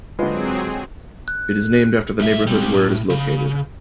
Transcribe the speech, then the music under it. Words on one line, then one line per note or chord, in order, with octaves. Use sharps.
It is named after the neighborhood where it is located.
D3 F#3 G#3 C4 F4 G#4 B4 C6
F#6
B1 E5
G3 C4
A2
C#3